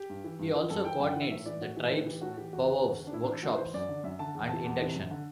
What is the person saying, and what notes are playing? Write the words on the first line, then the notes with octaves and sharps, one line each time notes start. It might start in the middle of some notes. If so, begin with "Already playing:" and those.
He also coordinates the tribe's powwows, workshops and induction.
Already playing: G4
G2
E3
G2
E3
F#2 A4
E3 G5
F#2 G5
F#5
E3
E5
A2 E5
E3 D5
A2 F#4
E3 G4
A2 B4
E3 G4
A2 F#4
E3 G4
E2 F#4
D3
E2
D3
D4
A2 E4
D4
E3 E4
A2 F#4
B4
E3 C5
F#2 D5
D3
F#2 E5
D3 A5
E2
C3 E3 A5
E2
C3 E3
F#2
D3